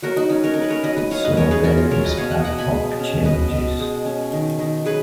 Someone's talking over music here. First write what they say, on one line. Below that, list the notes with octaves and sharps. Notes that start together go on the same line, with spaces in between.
It saw various ad-hoc changes.
F#3 F#4 A#4
D#4 F#4
C#4 D#4
A#4 C#5
C#4 A#4
B4
A#4 C#5
F#3 B4 D#5
B4 D#5
F#3 C#5 F5
B4 D#5
C#4 A#4 C#5
G#4 B4
C#4 F#4 A#4
F4
F#3 A#4 C#5
B4 D#5
B2 C#5 F5
D#5 F#5
B2 F#5 A#5
G#5 B5
G#3
C#4
B2 B4 D#5
B2
G#3
C#4
D#3
D#3
F#3 G#4 B4